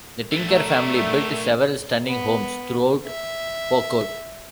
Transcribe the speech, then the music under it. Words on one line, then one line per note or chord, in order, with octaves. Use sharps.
The Tinker family built several stunning homes throughout Poquott.
E3 A3
A3 D4 A#4
B3
E5